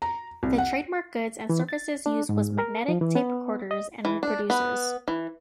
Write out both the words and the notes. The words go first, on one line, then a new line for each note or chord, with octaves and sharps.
The trademark goods and Services use was Magnetic tape recorders and reproducers.
A#5
C2
F#5
E3
A6
D4
G#2
A#4
F3
E3
B3
D#5
E3
D4
B3
E3